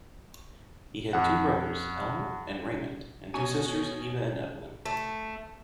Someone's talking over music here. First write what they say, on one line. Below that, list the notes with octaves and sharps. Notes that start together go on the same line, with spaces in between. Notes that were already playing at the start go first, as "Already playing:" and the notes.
He had two brothers, Elmer and Raymond, and two sisters, Eva and Evelyn.
F2 F#5
B2 C#4 C#5 G#5 C#6 D#7
A3